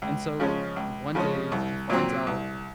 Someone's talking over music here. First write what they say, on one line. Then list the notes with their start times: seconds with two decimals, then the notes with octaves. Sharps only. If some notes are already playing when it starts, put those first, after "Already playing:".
And so one day he finds out
0.02 C#2
0.40 C#3 F3 G#3 C#4
0.76 C#2
1.15 C#3 F3 G#3 C#4
1.52 C2
1.90 A#2 F#3 C4
2.27 C2